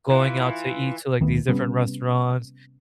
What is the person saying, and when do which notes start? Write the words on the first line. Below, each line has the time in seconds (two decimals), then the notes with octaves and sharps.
going out to eat to, like, these different restaurants,
0.11 E3 F4
1.20 D1 D#3 A3 B3
1.48 C3 G3 B3 C#4